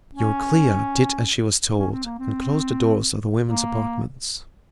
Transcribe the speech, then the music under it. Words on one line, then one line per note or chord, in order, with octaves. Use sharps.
Euryclea did as she was told and closed the doors of the women's apartments.
C#4
C#4
C4
A#3
C4
A#3